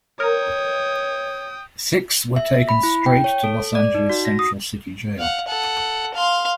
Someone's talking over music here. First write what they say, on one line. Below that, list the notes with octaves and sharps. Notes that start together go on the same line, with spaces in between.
Six were taken straight to Los Angeles' Central City Jail.
A#4 C#5 G5 D#6
E5
B5
E4
G5
C#5
A4
D5
D#4
F#4
A#6
D#6
F5 F#5
A4 F#5
F5 C6